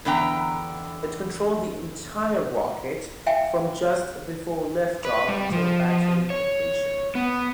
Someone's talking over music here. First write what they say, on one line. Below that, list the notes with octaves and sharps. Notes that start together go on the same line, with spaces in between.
It controlled the entire rocket from just before liftoff until battery depletion.
E2 D3 B3 G5 A#5
E5 F5 G5 G#5
B4
G3
F3
C#5
B3